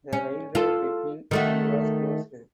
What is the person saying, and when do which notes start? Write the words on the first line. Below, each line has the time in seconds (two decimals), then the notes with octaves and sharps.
The railway between and was closed.
0.13 C#4
0.55 F4 A4
1.31 D#3 A3 F#4